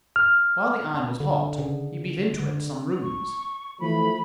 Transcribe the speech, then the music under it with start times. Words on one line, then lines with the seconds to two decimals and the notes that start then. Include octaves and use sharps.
While the iron was hot he beat into it some runes.
0.16 F6
1.20 D3
1.58 C#3
2.40 D3
3.03 C#6
3.80 E3 F3 A3 B5